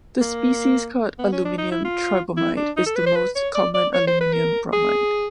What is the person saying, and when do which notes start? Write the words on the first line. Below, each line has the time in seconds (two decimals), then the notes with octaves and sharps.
The species called "aluminium tribromide," is the most common aluminium bromide.
0.21 A#3
1.19 B3
1.32 C#4
1.45 D4
1.58 D#4
1.72 E4
1.85 F4
2.37 E4
2.57 D4
2.77 D#4
2.86 A4
2.96 B4
3.06 C5
3.16 B4
3.35 C#5
3.55 D5
3.74 D5
3.94 C#5
4.07 C5
4.21 B4
4.33 A#4
4.73 G#4